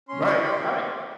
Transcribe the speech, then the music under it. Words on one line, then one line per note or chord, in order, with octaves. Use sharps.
Right. Right.
C#4 C6
E4 C#6
G4 B5
C6
A#3 C#6